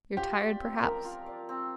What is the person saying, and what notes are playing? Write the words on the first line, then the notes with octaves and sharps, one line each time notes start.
You're tired perhaps?
F4 G4
D5
C4
F3 A#4
F4
D5
C4